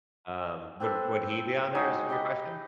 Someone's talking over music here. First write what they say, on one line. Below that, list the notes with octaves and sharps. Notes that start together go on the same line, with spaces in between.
Um, would would he be on there is your question?
C4 D4 A4 B4
G#3 D4 D#4 F#4
G4 D#5 F#5 B5